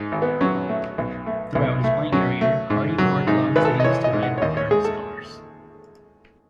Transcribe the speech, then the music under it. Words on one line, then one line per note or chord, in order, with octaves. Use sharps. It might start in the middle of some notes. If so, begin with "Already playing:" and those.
Throughout his playing career, Hardie wore long sleeves to hide the burn scars.
Already playing: G#2 D#4
G#1
B3
F#3 C#4
A3
B1
A3
B1
A3
F#3 C#4
A3
G#2
F#3
G#2 D#4
G#1 B4
A4
D#5
E3 C#5
D#5
G#2
F#5
C#5
D#2 D#5
C#5
G#3 G#4
A4